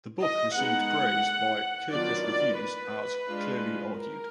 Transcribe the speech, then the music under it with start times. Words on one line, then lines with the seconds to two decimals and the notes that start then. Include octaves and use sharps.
The book received praise by "Kirkus Reviews" as "clearly argued".
0.21 D#5
0.55 G#3 B3 D#4 F#5
1.92 D#3 F#3 B3 D4 F4 D5
2.26 D5
2.60 B4
3.29 G#3 D4 F4
3.97 A#4